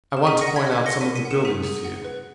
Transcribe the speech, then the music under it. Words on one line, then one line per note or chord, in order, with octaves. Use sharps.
"I want to point out some of the buildings to you."
E7
G#4 B6 D#7
A#6 C#7
F#5
G#6 B6
D#5 G#6 B6
A#4 A#6 C#7
A#4 B6 D#7
B6 D#7
F#5
C#7 E7
G#4 B6 D#7
G#4
F#5
B4